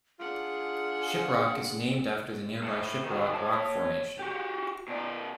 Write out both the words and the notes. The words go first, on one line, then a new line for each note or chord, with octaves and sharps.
Shiprock is named after the nearby Shiprock rock formation.
D4 F4 G#4 F#5
A2
D#3 F#4
C#5 A5
F#4 G4
B2 D5